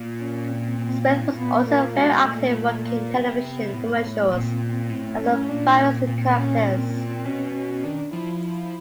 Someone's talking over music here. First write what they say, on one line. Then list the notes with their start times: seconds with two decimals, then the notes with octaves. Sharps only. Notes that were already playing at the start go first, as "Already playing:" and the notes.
Smith was also very active working in television commercials as various characters.
Already playing: A#2
0.20 C#4
0.49 C4
0.78 A#2
1.09 A#2
1.23 A2
1.37 A#2 B3
1.67 A#3
1.96 B2 G#3
2.11 B2
2.25 A#2 A3
2.84 A#3
3.14 C3 B3
3.73 A2
4.31 A#2 C4
4.90 A2
5.19 C#4
5.49 A#2 D4
5.78 C4
6.07 A#2
6.37 C#4
6.66 C4
6.95 C4
7.25 B2 C#4
7.55 C#4
7.83 D#3 D4
8.13 F3 E4
8.43 E4